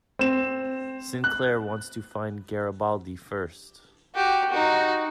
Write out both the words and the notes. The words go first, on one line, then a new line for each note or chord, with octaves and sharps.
Sinclair wants to find Garibaldi first.
C4 E7
F#6
F#4 G4
D#4 F#4